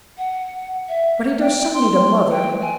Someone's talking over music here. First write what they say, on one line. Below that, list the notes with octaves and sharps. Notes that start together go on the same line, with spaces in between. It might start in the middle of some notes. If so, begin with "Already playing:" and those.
"But he does so need a mother."
F#5
E5
G5
C6
G5
G#5